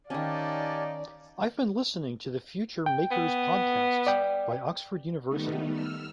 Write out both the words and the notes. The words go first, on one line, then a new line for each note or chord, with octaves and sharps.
I've been listening to the future maker's podcasts by Oxford University.
D#3 C#4 D#4 G4 D5 F5 G#5 A5
G5
B3
D5 G5
D#3 G3 A3 B3 D#4
E6 F6